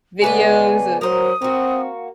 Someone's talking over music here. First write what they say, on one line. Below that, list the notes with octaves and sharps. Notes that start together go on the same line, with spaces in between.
videos of
C#3 G#3 B3 D4 G#5
F#3 A#4 C5 D#6
A#3 C4 F#4